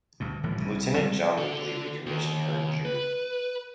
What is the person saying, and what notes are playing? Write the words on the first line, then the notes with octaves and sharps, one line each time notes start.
Lieutenant John Wheatley recommissioned her in June.
D2 G2 B2
G1 A2 E3 F3
C2 C#3
C3 G3 G#3
D3 A4
D#2
B4